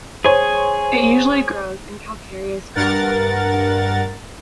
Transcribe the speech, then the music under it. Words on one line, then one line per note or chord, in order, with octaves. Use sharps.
It usually grows in calcareous grassland.
G#4 C5 C#5 G#5
G2 A#4 F#5 A6